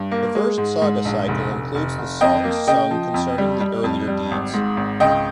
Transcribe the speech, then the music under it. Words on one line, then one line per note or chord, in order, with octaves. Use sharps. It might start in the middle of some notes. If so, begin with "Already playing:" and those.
The first saga-cycle includes the songs sung concerning the earlier deeds.
Already playing: G2
A#3
G#3
G#2
G#2
A#1
F1
F1
F1
F1
F2 D#5 G5
A#3
C#3 D#5 G5
F3
F2
G3
G3
F2
G3
G#1
G#2
G#1
C#2 D#5 G5